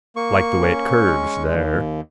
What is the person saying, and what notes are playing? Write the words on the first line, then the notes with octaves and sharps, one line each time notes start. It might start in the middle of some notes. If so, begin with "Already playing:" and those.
Like the way it curves there.
A#3 C#6
C#4
G#3
D#2